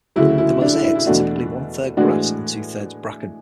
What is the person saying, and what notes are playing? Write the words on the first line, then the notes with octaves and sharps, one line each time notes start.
The mosaics are typically one-third grass and two-thirds bracken.
D2 C#3 F#3 E4
E4
D4
E4
E4
E4
E2 B2 A3 D4 F#4
A2 E3 G#3 D4 F#4